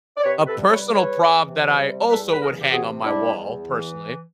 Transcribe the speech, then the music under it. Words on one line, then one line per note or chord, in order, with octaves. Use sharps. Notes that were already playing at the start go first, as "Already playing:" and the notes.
A personal prop that I also would hang on my wall, personally,
D5
C3 B4 C#5
A4 B4
G3
B4 C#5
E2
B4 C#5
E3
C3
G3
E2 A4 B4
B4
E3 G#4 A#4
G4
C3 F#4 G#4
G3 D4 E4
E2
E3